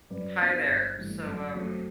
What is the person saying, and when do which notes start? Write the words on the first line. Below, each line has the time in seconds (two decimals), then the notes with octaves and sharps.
Hi there. So, um,
0.10 F#2 B4 D5
0.40 F#3 B3 D4
0.68 G1 C5
0.98 G2 E3 A3
1.26 F#2
1.55 F#3 A3 C4